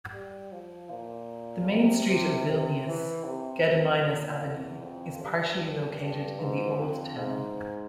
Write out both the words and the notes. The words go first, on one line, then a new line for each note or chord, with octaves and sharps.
The main street of Vilnius, Gediminas Avenue, is partially located in the Old Town.
G3
F3
A#2
C3
C3
C3
E3
C3
C3
A#2
E2
F2
G2
G2
G#2
F2
G#2